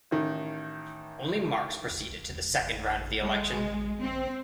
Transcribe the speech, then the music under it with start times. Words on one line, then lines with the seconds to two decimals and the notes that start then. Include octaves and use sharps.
Only Marx proceeded to the second round of the election.
0.11 A1 D#3
3.23 G#3
4.01 C4